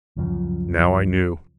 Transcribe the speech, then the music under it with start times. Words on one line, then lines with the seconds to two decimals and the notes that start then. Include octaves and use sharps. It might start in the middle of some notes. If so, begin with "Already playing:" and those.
Now I knew!
0.16 C#2 F#2 C#3 F3